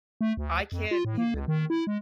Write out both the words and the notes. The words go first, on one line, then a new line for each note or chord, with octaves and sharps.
I can't even
A3
D2
F2
F4
A2
A#3
C#2
D#3
E4
G#3